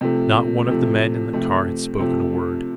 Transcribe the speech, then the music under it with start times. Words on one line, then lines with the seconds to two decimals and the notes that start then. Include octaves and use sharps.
Not one of the men in the car had spoken a word.
0.01 C3 F3 A3
0.67 C3 F3 A3
1.33 C3 F3 A3
1.99 C3 F3 A3